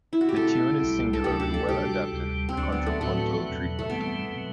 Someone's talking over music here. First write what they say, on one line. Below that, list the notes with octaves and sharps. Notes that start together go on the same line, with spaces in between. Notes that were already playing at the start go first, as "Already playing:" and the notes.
The tune is singularly well-adapted to contrapuntal treatment.
E4
F#4
G4
B2 A3 C4 A4
C2 C3 G3
A4
D2 C3 F#3 A3 D4 G4
G4
A4
C3 G3 D4 F#4 G4
D2 C3 G3
C4
D2 D3 F#3 D4
B3
A3
A2 F#3 A3 C4 F#4
E2 B2 F#3
A3
G2 E3 G3 B3 C4
B2 F#3